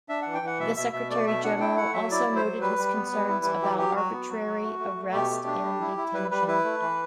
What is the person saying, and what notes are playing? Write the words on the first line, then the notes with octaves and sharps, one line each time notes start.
The Secretary-General also noted his concerns about arbitrary arrest and detention.
D4 E5
E3 F#5
G5
E3 F#5
B2 E5
B2 E5
B2 E5
A3 D5
B2 E5
D4 F#5
E4 G5
A3 F#5
F#3 E5
E4 D5
F#3
C5
F#3
G3 B4
G3
B3
G3
E4
E3
F#3 G4
F#3 G4
F#3 F#4
B3
F#3
F#3
A3
A3
A3
B2 G4
A3
D4
G3
E4
E4
G3 B4
G3 B4
E4 B4
A3
E3